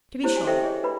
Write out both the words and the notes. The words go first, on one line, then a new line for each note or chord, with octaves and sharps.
To be sure!
E4 G4 C5 C#5
F#4 G#5
G4 A4 C5 D#5 E5 G5
G#4 C#5 D#5
D4 B4 B5